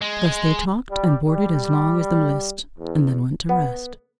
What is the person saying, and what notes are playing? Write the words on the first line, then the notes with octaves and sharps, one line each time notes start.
Thus they talked and bourded as long as them list, and then went to rest.
G#3
G3
G3
E2
B3